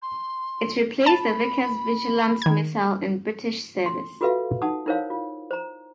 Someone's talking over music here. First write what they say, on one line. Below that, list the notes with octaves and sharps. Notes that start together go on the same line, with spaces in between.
It replaced the Vickers Vigilant missile in British service.
C6
A5 B5
D#3 G#6
C6
F4 F#4 A4 B4 E5 F5
D#4 F#5 A5 D#6
D#4 E4 A#4 C5 C#5 F5
F4
C5 A#5